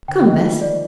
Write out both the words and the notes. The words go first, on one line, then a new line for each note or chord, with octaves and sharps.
Come, Bess.
D3 G5
D#3
D#5
F3
D#3 F4
D5